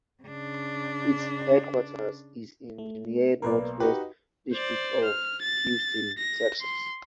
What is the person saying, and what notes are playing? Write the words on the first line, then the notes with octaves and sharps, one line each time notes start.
Its headquarters is in the Near Northwest district of Houston, Texas.
C#3 D4
A3
B1 A#3 A#4 B4 D5
D#4 F#4 G4 B4
C5 D5
F6
A6
A#6
C6